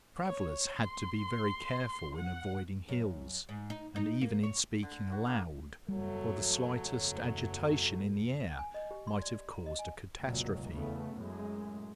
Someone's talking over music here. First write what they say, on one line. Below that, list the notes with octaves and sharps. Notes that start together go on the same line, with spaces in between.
The travellers had to be very careful in avoiding hills, and even in speaking aloud, for the slightest agitation in the air might have caused a catastrophe.
C#5
C6
F#5
F#2
G#2
D#4
D#4
A#3
C#5
D3
F#4
A#3
F#1 E2 F#3 G3 A3 A4
G#5
D#5
G4
C6
D5
A#5
D#5
G#5
F1 C#2 A#2 F#3
E2 C#3 A3 B3
F#2 A2 G#3